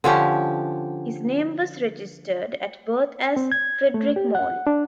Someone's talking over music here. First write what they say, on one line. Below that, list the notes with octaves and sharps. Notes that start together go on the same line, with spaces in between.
His name was registered at birth as Frederic Morley.
D3 F3 C#4 G4
C4
G#6
A3
G4
F#5
D4